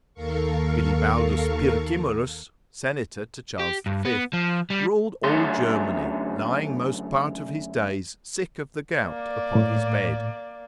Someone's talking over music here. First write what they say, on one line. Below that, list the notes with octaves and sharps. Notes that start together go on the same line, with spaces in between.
Bilibaldus Pirkimerus, senator to Charles the Fifth, ruled all Germany, lying most part of his days sick of the gout upon his bed.
D#2 A4 A#4 F5 C#6
G4
G2
B3
F3
G3
F#2 D3 A3 C#4 C6
A#3 D5
A2